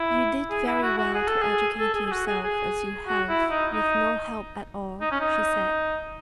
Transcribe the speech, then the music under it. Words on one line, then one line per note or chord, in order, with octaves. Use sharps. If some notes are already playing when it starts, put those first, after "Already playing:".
"You did very well to educate yourself as you have, with no help at all," she said.
Already playing: E4
G#4
E4
F#4
F#4
G#4
A4
G#4
A4
G#4
G#4
F#4
G#4
G#4
F#4
E4
D#4
D#4
D#4
C#4
D#4